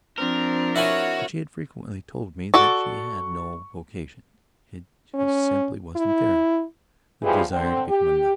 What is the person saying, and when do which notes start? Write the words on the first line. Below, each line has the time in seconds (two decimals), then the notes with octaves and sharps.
But she had frequently told me that she had no vocation; it just simply wasn't there--the desire to become a nun.
0.18 F3 C4 D4 A#4
0.76 E4 F#4 A#4 C#5 F#5 G#5
2.54 F#4 A4 D5 C#6
5.14 C#4
5.96 E4
7.22 B2 E3 F3 G3 G4 G#4
7.51 D3 C4
7.88 G4